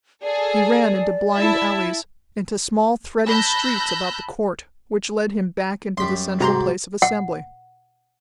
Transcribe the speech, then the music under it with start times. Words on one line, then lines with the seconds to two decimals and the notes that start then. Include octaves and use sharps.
He ran into blind alleys, into small threading streets about the court, which led him back into the central place of assembly.
0.22 G#4 A4 D5
1.35 E4 E5 A5
3.27 A5 B5 E6 F#6 G6 A#6
5.97 F#2 G3 C6 B6
6.40 G#2 C3 G3 F#4 A#5 C6
7.02 F#5